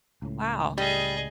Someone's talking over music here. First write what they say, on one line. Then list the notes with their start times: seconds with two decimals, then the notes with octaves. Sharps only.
Oh, wow.
0.22 C#2 A2
0.78 G3 G#4 D#5